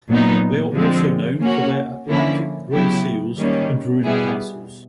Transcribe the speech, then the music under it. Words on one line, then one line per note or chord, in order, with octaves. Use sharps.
They are also known for their Atlantic grey seals and ruined castles.
A#2 F#3 B3 D#4
D3 F3 G#3 C4
A#3 C#4 F#4
D3 F3 A#3 C#4 E4
C#3 F#3 B3 E4 G4
D#3 G3 A#3 C#4
B2 G3 B3 E4 G#4